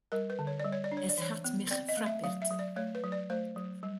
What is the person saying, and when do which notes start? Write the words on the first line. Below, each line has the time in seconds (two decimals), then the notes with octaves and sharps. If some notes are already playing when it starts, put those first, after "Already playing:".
Es hat mich frappirt.
0.12 G3 A#4
0.30 B4
0.39 D3
0.47 C#5
0.60 D5
0.65 G3
0.72 C#5
0.84 D5
0.91 D4
0.97 C#5
1.09 D5
1.18 E3 C#5
1.44 B3
1.71 C4 D5
1.89 D#5
1.97 A3
2.06 E5
2.24 F#3 F5
2.42 E5
2.50 F#3
2.59 D5
2.76 A3 C#5
2.95 B4
3.04 F#3
3.12 D5
3.30 A3 C5
3.56 F#3
3.83 G3